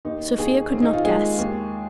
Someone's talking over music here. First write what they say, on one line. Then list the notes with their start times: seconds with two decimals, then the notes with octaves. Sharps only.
Sofia could not guess....
0.05 D#2 D#4
0.38 D#2 G#4
0.70 D#3 C4
0.82 D#4
0.93 F4
1.05 G#3 G#4
1.39 D#2